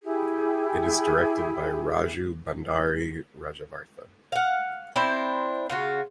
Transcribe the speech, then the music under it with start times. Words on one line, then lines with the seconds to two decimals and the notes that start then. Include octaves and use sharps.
It is directed by Raju Bhandari Rajavartha.
0.03 E4 G4 G#4
4.32 F5 F#5
4.96 C4 D4 E4 C5
5.70 C#3 F4 F#4